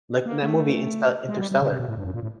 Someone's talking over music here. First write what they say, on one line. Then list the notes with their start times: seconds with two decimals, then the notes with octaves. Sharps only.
Like in that movie, Insta Interstellar.
0.26 A#3
0.43 A3
1.29 G#3
1.39 G3
1.51 G3
1.62 C#3
1.72 C3
1.80 B2
1.89 A2
1.97 G2
2.05 F#2
2.14 A#2
2.23 A2